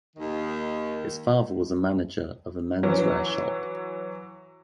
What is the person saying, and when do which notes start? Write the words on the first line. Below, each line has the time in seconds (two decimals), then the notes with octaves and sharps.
His father was a manager of a menswear shop.
0.16 D#2 D#3
2.83 E3 F#3